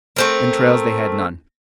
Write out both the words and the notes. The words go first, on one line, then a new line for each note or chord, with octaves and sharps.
Entrails they had none.
A3 C4 A#4